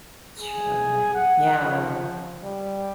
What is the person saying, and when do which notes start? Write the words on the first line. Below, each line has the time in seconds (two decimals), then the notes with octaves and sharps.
Sure, yeah.
0.39 G#4
1.14 F#5
1.61 F3
2.44 G3